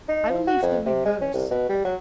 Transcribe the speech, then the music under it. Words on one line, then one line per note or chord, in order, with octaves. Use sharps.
I believe the reverse.
D#4
F3
F#4
F2
C3
G#3
C#4
C2
B2
G3
F#3